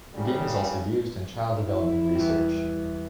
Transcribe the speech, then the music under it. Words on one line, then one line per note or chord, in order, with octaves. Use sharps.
The game is also used in child development research.
F#2 A2 C#3 G3
E4
E2 G3